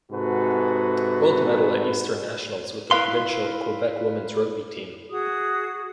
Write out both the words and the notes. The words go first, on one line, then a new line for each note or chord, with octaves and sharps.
Gold Medal at Eastern Nationals with the Provincial Quebec Women’s Rugby team.
G#2 C3 F#4 A4 B4
E4 A#4 B4 F5 C6
F#4 G#4 D#6